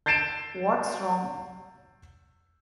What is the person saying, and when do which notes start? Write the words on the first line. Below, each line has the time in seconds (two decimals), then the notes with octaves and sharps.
What's wrong?
0.06 G6 A6 C7 D7 E7